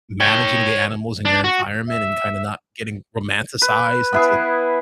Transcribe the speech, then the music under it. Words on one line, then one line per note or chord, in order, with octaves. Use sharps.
managing the animals in your environment and kind of not getting romanticized into
C#5 G5
D4
F#4
E5
B4
B3 E4 G#4